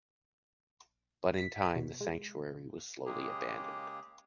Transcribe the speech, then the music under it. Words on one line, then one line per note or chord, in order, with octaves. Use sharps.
But with time, the sanctuary was slowly abandoned.
B6
B2
G#3
C#3 G#3 A#3 G4 G#4